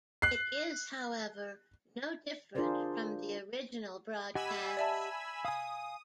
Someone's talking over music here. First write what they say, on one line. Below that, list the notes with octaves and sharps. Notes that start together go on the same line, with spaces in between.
It is, however, no different from the original broadcasts.
F#6 C7
D4 F4 G#4 A#4 C5 D5
G4 D#5 F#5 G#5 B5 E6
D5 E5 A5
F5 G#5 D#6